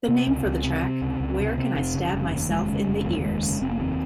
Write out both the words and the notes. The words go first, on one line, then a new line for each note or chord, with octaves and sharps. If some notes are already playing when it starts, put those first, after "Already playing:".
The name for the track, Where Can I Stab Myself in the Ears?
C3
C#2 C4
C#2
C3 C4
C3
C#2
C#2
C3
C3
F1
C#3
F1
D#2
F1 G#3
C#3
F1
D#2
F1 G#3
C#3
F1 C4
A#3
D#2 C4